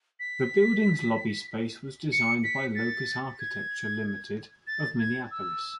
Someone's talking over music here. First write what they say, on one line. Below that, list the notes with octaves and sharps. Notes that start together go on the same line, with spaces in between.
The building's lobby space was designed by Locus Architecture, Limited, of Minneapolis.
B6
C#7
B6
A6
G#6
A6
G#6
E6